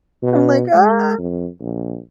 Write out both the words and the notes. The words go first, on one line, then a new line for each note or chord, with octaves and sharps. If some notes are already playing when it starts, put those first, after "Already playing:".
I'm like, "Ah."
B2
G#3
F2
A#1